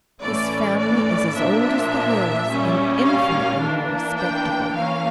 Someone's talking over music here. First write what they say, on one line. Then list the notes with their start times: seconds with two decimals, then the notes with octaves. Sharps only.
His family is as old as the hills, and infinitely more respectable.
0.22 A2 E3 A3 C#4 D5
0.79 D5
1.35 A#2 F3 A#3 D4 E5
2.48 A#2 G3 C#4
3.05 F5
3.60 E3 A#3 D4
4.17 G5
4.74 E3 A#3 C#4 F5